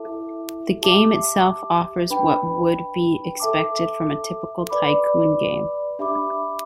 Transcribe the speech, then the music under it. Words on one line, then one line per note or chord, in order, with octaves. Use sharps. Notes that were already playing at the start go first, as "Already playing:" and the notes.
The game itself offers what would be expected from a typical tycoon game.
Already playing: E4 A4 E5 A5 D6
G4 E5 A5 D6
D4 B4 G5 B5
A4 E5 A5 D6
B4 D5 B5 D6
D4 G4 E5 B5 D6